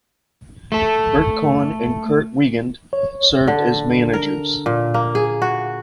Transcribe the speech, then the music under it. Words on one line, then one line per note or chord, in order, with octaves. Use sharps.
Bert Conn and Curt Wiegand served as managers.
A3 A4
C#5
D3
A#4
A#2
A#3
G#4
F#4